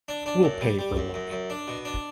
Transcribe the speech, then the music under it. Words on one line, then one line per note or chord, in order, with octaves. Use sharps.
Who will pay for Luck?
D4
D4
F#2
G3
G3
F#2
F#2
F#2
D4
B2
D4